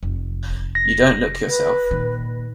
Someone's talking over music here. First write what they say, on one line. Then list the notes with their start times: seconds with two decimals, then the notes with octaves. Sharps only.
You don't look yourself.
0.03 F1
0.75 A#6
1.48 B4
1.91 A#2 D#3